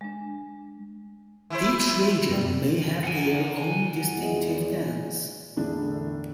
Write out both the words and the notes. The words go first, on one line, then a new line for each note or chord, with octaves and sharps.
Each region may have their own distinctive dance.
G#3 D4
E3 E4 C5
F#2 G3
F#5 G#5
E2 G#3
E1 A2 D3 D4 G#4